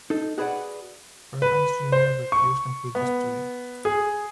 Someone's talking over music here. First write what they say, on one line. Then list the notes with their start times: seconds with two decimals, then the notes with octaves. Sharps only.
Fairbanks Junior refused and quit the studio.
0.10 D#4 A4
0.38 F#4 G#4 B4 C5 D5 F#5
1.42 B4
1.92 C5
2.32 C#6
2.95 B3
3.85 G#4